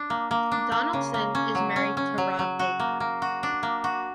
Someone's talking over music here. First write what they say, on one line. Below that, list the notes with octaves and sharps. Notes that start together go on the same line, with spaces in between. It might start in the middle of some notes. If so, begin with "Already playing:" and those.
Donaldson is married to Rob Baker.
Already playing: D4
A#3
A#3
D4
A#3
C#3
A#3
C#4
F#3
C#4
C#4
F#3
F#3
F#4
A#3
A#3
F#4
D4
A#3
F#4